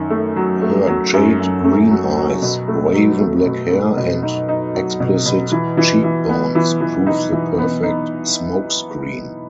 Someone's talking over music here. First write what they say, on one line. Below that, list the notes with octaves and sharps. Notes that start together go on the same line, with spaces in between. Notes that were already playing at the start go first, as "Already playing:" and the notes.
Her jade green eyes, raven black hair and "explicit cheekbones" prove the perfect smokescreen.
Already playing: F#2 D#3
A3
F#3
A3
F#3
F#2
F#2
A3
F#3
F#3
B2
A3
F#3
A3
B2
A3
B2
D#4
D#4
F#3
B2
B2
E3
E3
E3
B3
E3
E3
D#4
E3
B3
D#4